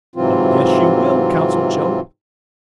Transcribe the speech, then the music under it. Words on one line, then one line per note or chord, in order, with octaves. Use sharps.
"Oh, yes, you will," counseled Joe.
G#2 C3 E3 F#3 C4 F4